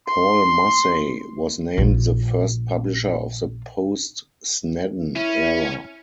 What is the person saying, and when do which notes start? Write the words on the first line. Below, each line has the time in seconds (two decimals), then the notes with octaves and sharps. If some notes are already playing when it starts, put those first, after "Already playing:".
Paul Massey was named the first publisher of the post-Snedden era.
0.08 C6
1.77 A#1 F4
5.16 C#4 E4